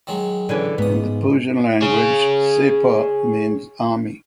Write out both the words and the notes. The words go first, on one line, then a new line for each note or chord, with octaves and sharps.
In the Persian language "Sepah" means "army".
D#3 F#3 G#3
D3 E3 C#4
C#2 G#2 B3 D#6
G#4 C#5